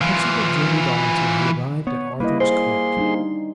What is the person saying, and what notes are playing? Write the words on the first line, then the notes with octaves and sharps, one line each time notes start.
Perceval journeyed on till he arrived at Arthur's court.
E3 F4
B3 C#5
G3 A#3 E4 B4 D#5
G#4 C5 C6
G3 D4 D#4